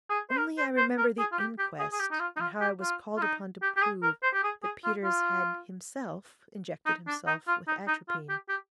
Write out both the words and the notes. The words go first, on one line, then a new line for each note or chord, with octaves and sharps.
Only I remember the inquest, and how I was called upon to prove that Peters had himself injected himself with atropine.
G#4
C5
A#4
C5
C5
A#4
G#4
F4
G4
G4
G#4
G#4
G4
D#4
F4
D#4
F4
G4
F4
F4
D#4
G4
G4
G#4
A#4
C5
G4
G#4
G#4
F4
F4
D#4
D4
D#4
F4
D#4
D#4
F4
G4
G4